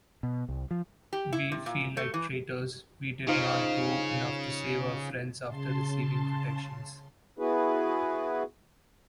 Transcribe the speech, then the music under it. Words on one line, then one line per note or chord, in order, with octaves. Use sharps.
We feel like traitors, we did not do enough to save our friends after receiving protections.
B2
C2
F3
G4
E4
C3
A#2
A3
E3
C#3 D#4 F4 C5
C#3 A5 C6
B3 E4 F#4 G#4 B4